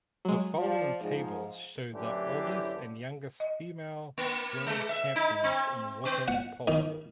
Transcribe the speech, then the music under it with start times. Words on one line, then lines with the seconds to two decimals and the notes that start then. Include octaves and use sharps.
The following tables show the oldest and youngest female world champions in water polo.
0.25 F#3 G#3
0.57 F3 D5
1.00 G#2 F3
1.94 F#2 A2 D3 E3 G3 G4
3.40 D#5
4.18 A#3
4.66 G#3
4.89 E5
5.16 D#4
5.44 C4
6.05 B3
6.28 F#5
6.68 D#3